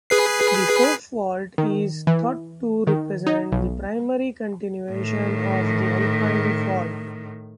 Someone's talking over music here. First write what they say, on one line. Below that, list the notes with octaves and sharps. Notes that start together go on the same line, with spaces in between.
The Hope fault is thought to represent the primary continuation of the Alpine fault.
G#4 B4 C7
D#3
E3
D#3
D#4
B1
A2 D#3